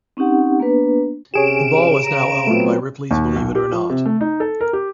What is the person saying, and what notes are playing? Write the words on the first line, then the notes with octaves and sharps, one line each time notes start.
The ball is now owned by Ripley's Believe it or Not!
C4 C#4 D#4 G4 F#5
A#3 B3 D4 B4
C3 C#4 G4 G#4 C#5 D7 E7
C#3 A#5
F#3 A3 B3 C4 F4
D#2
B1
G4
F3
C3
A3
D#4
A4
A#4
G4